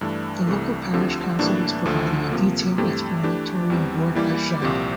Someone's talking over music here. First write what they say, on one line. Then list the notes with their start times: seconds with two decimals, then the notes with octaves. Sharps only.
The local Parish Council is providing a detailed explanatory board at Shide.
0.01 G2 E3 A3 D4
0.47 C2 C3 E3 A3
0.93 D2 D3 F3 C4 G4
1.39 A2 E3 G3 A#3 D4
1.86 D2 D3 F3
2.32 C3 F3 A#3
2.78 G2 E3 A3 C4 G4
3.23 E3 A3 D4 G4
3.70 E2 E3 G3 C4
4.15 E3 G3 A#3 E4 G4
4.62 C2 A#2 F3 C4 G4